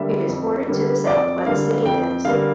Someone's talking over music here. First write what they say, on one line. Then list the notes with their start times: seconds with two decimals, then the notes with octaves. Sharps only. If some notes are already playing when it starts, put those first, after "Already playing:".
It is bordered to the south by the city of Ennis.
Already playing: D3 G3 A#3 E5
0.29 F2
0.68 D3 G3 A#3
1.07 F2 D5
1.46 D3 G3 A#3 F5
1.85 F2 G5
2.25 D3 G3 A#3 F5